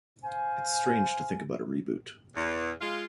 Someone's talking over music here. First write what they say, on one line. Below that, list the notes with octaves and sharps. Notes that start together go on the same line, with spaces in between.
It's strange to think about a reboot.
C5 F5 G#5
E2
G#3 F4